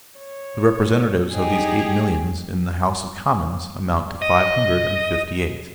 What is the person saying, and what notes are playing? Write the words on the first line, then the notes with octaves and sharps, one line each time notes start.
The representatives of these eight millions in the House of Commons amount to five hundred and fifty-eight.
C#5
D#4 G4 G#4
D#5